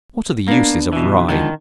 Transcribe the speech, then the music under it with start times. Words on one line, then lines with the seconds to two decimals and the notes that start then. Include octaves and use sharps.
What are the uses of Rye?
0.48 A#3 B3 D4
0.93 B2 E3
1.29 D3 D#3 F3 G#3